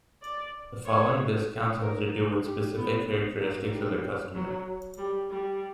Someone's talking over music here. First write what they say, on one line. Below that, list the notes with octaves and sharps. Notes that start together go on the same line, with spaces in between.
The following discounts have to do with specific characteristics of the customer.
D5
C#5
A#4
G4
B3
A#3
G3
F#3
G3
G3